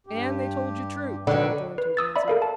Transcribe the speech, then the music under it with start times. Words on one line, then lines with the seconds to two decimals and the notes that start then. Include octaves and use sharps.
"And they told you true," John Thornton answered.
0.07 G2 G4
1.27 D3 D#4 B4 C#5
1.78 B4
1.97 D#6 E6 A6
2.16 D5 E5 B5
2.28 A4 A#4 F5
2.42 A5